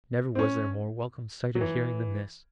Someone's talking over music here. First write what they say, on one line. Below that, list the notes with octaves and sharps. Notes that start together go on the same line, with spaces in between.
Never was there more welcome sight and hearing than this.
C4
C#4
F#3
E3